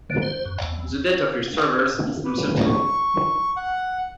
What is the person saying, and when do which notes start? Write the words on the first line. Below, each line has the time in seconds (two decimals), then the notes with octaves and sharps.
The date of his travels is uncertain.
0.10 D3
0.22 C5
0.45 F#2
0.62 E2
2.25 B4
2.66 C#6
3.56 F#5